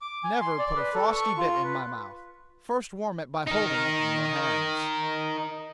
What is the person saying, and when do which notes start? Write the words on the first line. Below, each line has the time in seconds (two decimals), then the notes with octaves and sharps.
Never put a frosty bit in my mouth; first warm it by holding it in your hands.
0.01 D6
0.24 G#5
0.41 C6
0.59 D5
0.76 B4
0.94 A4
1.12 C#6
1.38 F4
1.64 B4
3.47 D#4 A#4